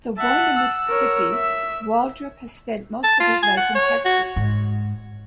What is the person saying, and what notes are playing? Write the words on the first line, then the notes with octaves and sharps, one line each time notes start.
Though born in Mississippi, Waldrop has spent most of his life in Texas.
E5 F#5 A5
E6
A#4 C#5
E5
A5
F4
G#5
F#5
C#5
F#4
G#2